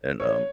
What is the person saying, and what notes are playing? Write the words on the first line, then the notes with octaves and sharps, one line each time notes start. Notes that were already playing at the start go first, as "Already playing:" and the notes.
and, um,
C#5